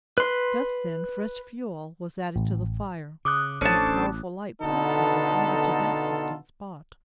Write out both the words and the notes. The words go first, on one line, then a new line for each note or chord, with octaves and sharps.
Just then fresh fuel was added to the fire, and a powerful light penetrated even to that distant spot.
B4 C6
A1
C#3 D6 D#6 F#6
A1 C#4 D4 A4 C5 A5
B2 D3 B3 D#4 F4 A4